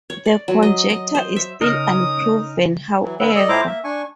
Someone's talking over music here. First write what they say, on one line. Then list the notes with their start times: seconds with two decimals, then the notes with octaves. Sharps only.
The conjecture is still unproven, however.
0.10 C#5
0.26 D5
0.48 F#3
0.63 D#5
0.90 D#5
1.15 C5
1.36 E5
1.61 C#3 C#4 D#4 A#4 D#6
3.03 E3 F#3
3.20 D3 A#3 B3 A4 B4
3.35 A4 D5 D#5
3.49 A2 F3 E4 C5 A#5 D6
3.67 A#3 E5
3.84 D4 G#5 C#6